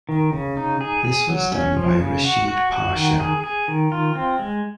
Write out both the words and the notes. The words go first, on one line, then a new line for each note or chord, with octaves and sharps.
This was done by Reshid Pasha.
D#3
C#3
D#4
G#4
G#4
F#3
C#4
F3
C#3
F#4
F#4
F#4
D#3
G#4
G#4
D#3
F4
C4
G#3